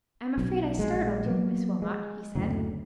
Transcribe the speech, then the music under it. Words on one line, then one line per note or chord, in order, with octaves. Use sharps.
"I am afraid I startled you, Miss Wilmot," he said.
B1
A#1 G#3
F#3 A#3 B3
G#3
F#1 D2 A2